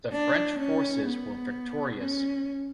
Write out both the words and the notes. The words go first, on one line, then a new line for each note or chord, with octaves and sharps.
The French forces were victorious.
D4
C#4
B3
C#4